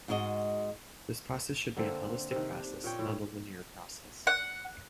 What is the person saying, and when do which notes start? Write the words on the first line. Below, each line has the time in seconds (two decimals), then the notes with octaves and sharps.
This process should be a holistic process, not a linear process.
0.08 G#2 G#3 F#4 A#4 D#5
1.77 D3 A#3 C4 A4
2.31 C3 D#3
2.52 D4
2.84 A#2 C#5 G5
2.99 A2
4.27 F#5